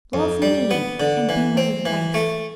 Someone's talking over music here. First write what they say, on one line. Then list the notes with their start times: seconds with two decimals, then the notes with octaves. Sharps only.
Love me and be my wife.
0.13 F2
0.42 G3
0.71 B3
1.00 D3
1.29 E3
1.57 C4
1.86 E3
2.14 A3